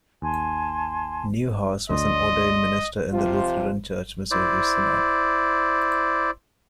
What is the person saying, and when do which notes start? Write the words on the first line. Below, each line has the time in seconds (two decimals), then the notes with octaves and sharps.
Neuhaus was an ordained minister in the Lutheran Church-Missouri Synod.
0.22 D#2 G#5 A5 C6
1.89 D2 D5 D#5 C6
3.12 C3 F3 F4
4.31 E4 C5 D5